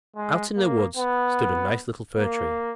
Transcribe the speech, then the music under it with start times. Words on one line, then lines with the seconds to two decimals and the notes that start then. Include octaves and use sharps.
Out in the woods stood a nice little Fir Tree.
0.17 G#3
0.57 A#3
0.97 B3
2.17 A#3